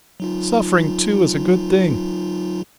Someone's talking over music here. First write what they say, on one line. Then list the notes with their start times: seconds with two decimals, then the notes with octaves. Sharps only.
Suffering, too, is a good thing.
0.20 F#3 D#4 F4